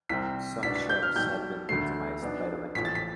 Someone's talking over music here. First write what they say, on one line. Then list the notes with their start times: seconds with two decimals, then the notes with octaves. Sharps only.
Some shrubs had been victimized by the winter.
0.09 C2 C3 G3 C4 B6
0.63 C2 B2 B3 D4 B6
0.76 B6
0.89 G6
1.03 F6
1.16 B1 B2 G3 G6
1.69 D2 D3 A3 C7
2.22 B1 B2 B3 D4
2.75 A1 A2 F3 B6
2.85 A6
2.95 B6